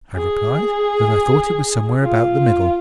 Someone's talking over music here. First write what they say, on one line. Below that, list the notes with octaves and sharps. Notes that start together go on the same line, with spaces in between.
I replied that I thought it was somewhere about the middle.
G#4
F4